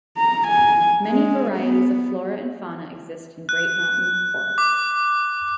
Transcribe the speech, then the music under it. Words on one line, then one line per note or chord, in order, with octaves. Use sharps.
Many varieties of flora and fauna exist in Great Mountain Forest.
A#5
G#5
G#3
B3
F#6
D6